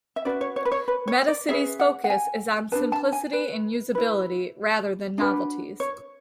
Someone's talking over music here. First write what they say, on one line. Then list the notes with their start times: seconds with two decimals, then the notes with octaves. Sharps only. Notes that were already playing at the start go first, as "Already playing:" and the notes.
Metacity's focus is on simplicity and usability rather than novelties.
0.16 E5
0.25 C#4 F#4 B4 D5
0.41 C#5
0.56 C#5
0.65 B4
0.72 C#5
0.88 B4
1.08 C#5
1.28 D5
1.49 C#4 G#4 B4 E5
1.80 F#5
2.04 F#5
2.10 G#5
2.72 D4 G#4 B4 A5
2.92 A5
3.13 G#5
3.33 B4
3.95 E4 B4
5.18 D4 F#4 B4
5.80 C#5